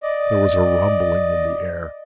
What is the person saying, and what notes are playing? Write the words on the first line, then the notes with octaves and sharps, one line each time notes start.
There was a rumbling in the air.
D5 D#5